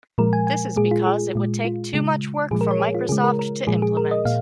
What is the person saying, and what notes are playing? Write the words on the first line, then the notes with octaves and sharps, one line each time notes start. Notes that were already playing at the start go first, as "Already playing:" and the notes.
This is because it would take too much work for Microsoft to implement.
A#2 F3 G#3 A#4
G#5
G#5
A#2 G#3 G#4
F4
G#4
A#2 G#3
F4
C#3 G#3
A#2 F3 G#3 G#4
A#4
C#5
G#4
F4
C#3 G#3 G#4
A#4
A#4
A#2 F3 G#3 G#4
G#4
A#4
D#5
A#2 F5